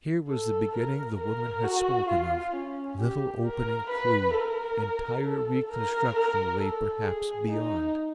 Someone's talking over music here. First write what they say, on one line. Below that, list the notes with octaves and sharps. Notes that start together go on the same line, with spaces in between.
Here was the beginning the woman had spoken of--little opening clue. Entire reconstruction lay perhaps beyond.
A4
A#4
A#4
F#4
F4
C#4
G4
A#4
B4
A#4
A4
A#4
A#4
A4
G#4
D#4